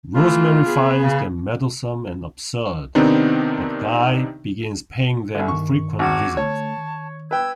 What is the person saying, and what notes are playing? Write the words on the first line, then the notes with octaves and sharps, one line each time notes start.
Rosemary finds them meddlesome and absurd, but Guy begins paying them frequent visits.
E3 A3 F4
B3 G#4
C#3
C3 D#3 B3 C4 D4 D#4
C2 D3 E5
G2 D#3 C#6
G#1 F#4 D6 G#6
D3 A3 C#5 A5
D#3
B4 G5 E6 G#6